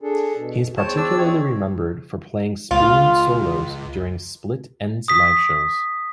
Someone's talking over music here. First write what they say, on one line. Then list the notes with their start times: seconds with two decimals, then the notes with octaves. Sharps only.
He is particularly remembered for playing spoon solos during Split Enz live shows.
0.01 D4 G#4 A4
0.36 B2
0.77 E2 C5 C#5 G5 A5
0.97 D4 D5 E6
1.18 E2 C4 C#5 D#5
2.71 C#2 F4
5.08 D#6 B6